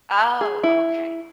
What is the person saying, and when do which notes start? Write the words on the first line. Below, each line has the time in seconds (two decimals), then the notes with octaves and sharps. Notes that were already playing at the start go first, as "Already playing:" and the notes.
Oh, okay.
0.41 G#4
0.63 E4